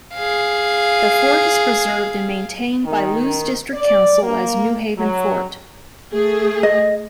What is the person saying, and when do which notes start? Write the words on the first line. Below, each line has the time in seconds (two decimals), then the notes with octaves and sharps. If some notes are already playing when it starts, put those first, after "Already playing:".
The fort is preserved and maintained by Lewes District Council as Newhaven Fort.
0.15 G#4 F5
2.84 D#3
3.74 D5
4.22 A#3
4.97 F#3
6.13 A3 G#4
6.63 D#5